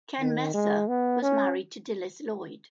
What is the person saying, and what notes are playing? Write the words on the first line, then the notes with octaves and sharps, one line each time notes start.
Ken Messer was married to Dilys Lloyd.
D#3
G#3
B3
C#4